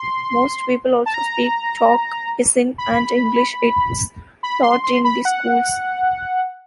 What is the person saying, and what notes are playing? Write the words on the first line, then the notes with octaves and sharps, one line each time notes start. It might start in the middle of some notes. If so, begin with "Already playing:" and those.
Most people also speak Tok Pisin, and English is taught in the schools.
Already playing: C6
A5
A#5
B5
B5
C6
C6
B5
F#5